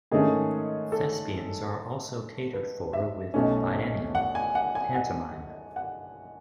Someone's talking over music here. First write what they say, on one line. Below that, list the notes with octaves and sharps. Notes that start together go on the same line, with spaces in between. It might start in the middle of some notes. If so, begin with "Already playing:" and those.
Thespians are also catered for with the biennial pantomime.
G#2 D#3 A3 C#4 G#4
A4
B4
E5
B1 B2 A3 C#4
F#5
G#5
F#5
G#5
F#5
F#5